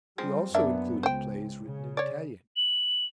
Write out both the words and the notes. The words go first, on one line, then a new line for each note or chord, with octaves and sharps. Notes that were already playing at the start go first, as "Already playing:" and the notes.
He also included plays written in Italian.
F3 G3 G#3 C4
F#2 A#3 B3 D4 E5
C#2 C5 G5
C#3
C#5 D5
F#7